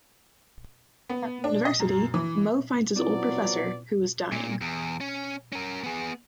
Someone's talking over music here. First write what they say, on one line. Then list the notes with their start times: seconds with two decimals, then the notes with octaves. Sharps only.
At the university, Moe finds his old professor, who is dying.
1.09 B3
1.44 D4
1.65 D#5
1.80 F#2
2.14 E3
2.96 F3 F#3 B3 C4 E4 F4 D5
4.32 A#2
4.61 E2
5.00 C#4
5.53 C#4 A#4
5.84 B3 G#4